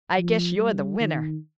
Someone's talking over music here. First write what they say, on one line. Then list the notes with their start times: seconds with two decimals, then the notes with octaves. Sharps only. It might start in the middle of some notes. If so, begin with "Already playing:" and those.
I guess you're the winner!
0.18 F3
0.59 G3
1.00 D#3